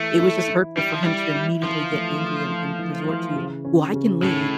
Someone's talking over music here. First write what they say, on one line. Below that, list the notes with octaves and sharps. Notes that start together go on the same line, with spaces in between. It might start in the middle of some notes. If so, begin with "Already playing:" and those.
it was just hurtful for him to immediately get angry and and resort to, "Well, I can leave."
Already playing: E3 A3
E4
E4
G3 E4
F3
G3 E4
E4
E3 F3
A3
A3
E4
E3
E3
C#3
C#4
C#3
A2 C#4